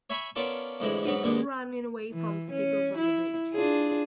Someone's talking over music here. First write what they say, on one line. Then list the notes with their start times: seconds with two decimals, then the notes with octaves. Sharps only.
People running away from seagulls on the beach.
0.10 C#5 E5 G#5 B5 C#6
0.36 B3 C#4 F4 A#4 D5 A5
0.80 F2 A2 D3 E3 G#3
1.06 G#2 F#3 B3
1.24 D#2 A#2 G#3 B3
2.13 E3
2.52 C#4
2.98 E4
3.54 D4 F4 G#4